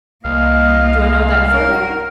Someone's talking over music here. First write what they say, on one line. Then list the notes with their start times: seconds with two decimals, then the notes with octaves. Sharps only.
Do I know that photograph?
0.25 C2 A#3 D#5 F5
1.51 A#4